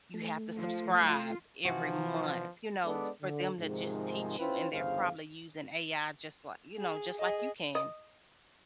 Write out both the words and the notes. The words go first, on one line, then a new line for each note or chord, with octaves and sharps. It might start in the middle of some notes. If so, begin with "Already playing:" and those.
you have to subscribe every month, you know, f for them to just teach you. And they're probably using AI just li you know, just like you can,
A3
F3
F4
C3 E3 F3 F#4
G#3 B3 D4 A4 D5
D3
G#2 C3 D#3 F3 G#3
C#4 E4 F4 B4 C5 G5
G1 E2 C#3 C5 F5
G#4
G#4 D#5
D#5